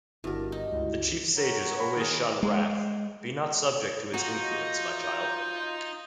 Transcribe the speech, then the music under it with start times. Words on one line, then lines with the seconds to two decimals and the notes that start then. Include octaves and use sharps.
The chief sages always shun wrath: be not subject to its influence, my child.
0.24 G1 G2 E4 F#4 A#4
0.52 D#4
0.71 C#2
1.36 A#4 C#5 F#5 A#5
1.80 B5
1.96 D#3 G#4
2.43 G#3
4.14 D#4 F4 F#4 G6